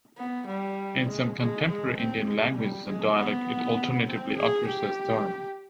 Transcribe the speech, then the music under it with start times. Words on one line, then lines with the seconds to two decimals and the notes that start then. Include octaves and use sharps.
In some contemporary Indian languages and dialects it alternatively occurs as "dharm".
0.18 B3
0.47 G3
1.07 G#3
1.37 G#3
1.67 G#3
1.98 C4
2.27 G#3
2.57 G3
2.86 G#3
3.17 B3
4.06 C4
4.37 G#4
4.67 G4